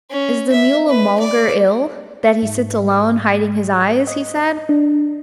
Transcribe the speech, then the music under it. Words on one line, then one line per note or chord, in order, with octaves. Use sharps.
"Is the Mulla-mulgar ill, that he sits alone, hiding his eyes?" he said.
C#4
E5
B4
D5
G#2
D#5
D4